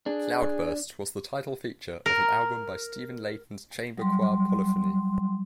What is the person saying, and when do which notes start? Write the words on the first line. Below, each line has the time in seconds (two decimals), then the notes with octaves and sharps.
"Cloudburst" was the title feature of an album by Stephen Layton's chamber choir Polyphony.
0.06 D4 G#4
2.06 A#4
3.97 F#3 G3 C6